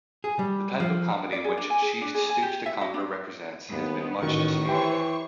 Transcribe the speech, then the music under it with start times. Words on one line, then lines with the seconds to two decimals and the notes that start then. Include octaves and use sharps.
The type of comedy which "She Stoops to Conquer" represents has been much disputed.
0.24 G#4
0.39 G3
0.80 F3
1.33 D5
1.44 G#4
1.58 D4
1.70 G#5
1.82 G#4
2.02 D4
2.14 G#4
2.29 G#5
2.42 G4
2.66 E5
2.81 F#4
2.94 D4
3.71 D#2 B3
4.23 A1 A2 D#3 F#4 C#6
4.68 E3 G4 C5 C#5 G5 C#6